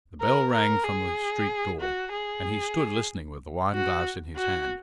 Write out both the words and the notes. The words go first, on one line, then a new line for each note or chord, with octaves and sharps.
The bell rang from the street door, and he stood listening with the wine-glass in his hand.
A#4
A#4
G#4
F#4
G#4
F#4
F#4